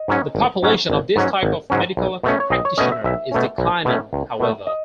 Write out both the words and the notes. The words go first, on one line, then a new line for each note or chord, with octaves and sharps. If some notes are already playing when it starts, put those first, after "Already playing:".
The population of this type of medical practitioner is declining, however.
Already playing: D#5
G#2 F#3 C#4
G#1
G#2 F#3 C#4
G#1
G#2 F#3 C#4
G#1
G#2 F#3 C#4
B1
B2 A3 C#4
C#5
B1 D#5
C#5
B2 A3 C#4 D#5
E5
B1 E5
B2 A3 C#4
B1
B2 A3 C#4
C#2
B2 A3
D#5